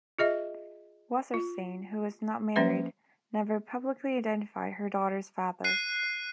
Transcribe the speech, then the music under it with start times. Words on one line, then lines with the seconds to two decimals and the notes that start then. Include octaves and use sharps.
Wasserstein, who was not married, never publicly identified her daughter's father.
0.19 F4 G#4 D#5 E5
1.34 F4
2.56 F3 A#3 C#4 B4 E5
5.64 F#6 C7 D#7